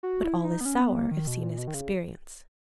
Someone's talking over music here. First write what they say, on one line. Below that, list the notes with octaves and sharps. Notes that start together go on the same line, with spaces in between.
But all is sour, if seen as experience.
F#4
E4
D#4
B3
C#4
B3
A#3
D#3
B2
A#2
B2
D#3
C#3